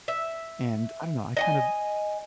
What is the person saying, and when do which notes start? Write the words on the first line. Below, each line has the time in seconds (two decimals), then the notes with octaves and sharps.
and I don't know, I kind of
0.08 E5
1.37 D#5 F#5 G#5